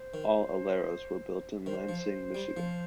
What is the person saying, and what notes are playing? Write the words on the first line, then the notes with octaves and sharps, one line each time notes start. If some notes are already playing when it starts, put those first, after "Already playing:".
All Aleros were built in Lansing, Michigan.
Already playing: C5
D#3
D#3 C5
F3
G3
F3